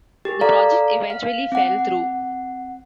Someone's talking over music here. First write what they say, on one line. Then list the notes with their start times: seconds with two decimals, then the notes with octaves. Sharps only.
The project eventually fell through.
0.25 G4 G#4 A#4
0.41 A4 D5 F5 A#5
1.10 F5
1.52 C4 F#5